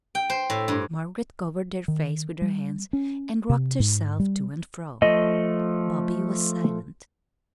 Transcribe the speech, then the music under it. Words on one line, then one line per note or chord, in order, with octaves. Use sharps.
Margaret covered her face with her hands and rocked herself to and fro. Bobby was silent.
G5
C5
A2
G2
D#3
G3
C#4
C3
G#2
G3
F3 A3 D#5